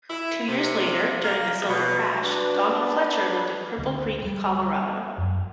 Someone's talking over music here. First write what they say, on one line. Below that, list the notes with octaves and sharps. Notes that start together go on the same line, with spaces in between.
Two years later, during the Silver Crash, Donald Fletcher lived in Cripple Creek, Colorado.
E4
C3
A#3
B2
D4 F#4 B4
B4 A5
D2
G3
F#2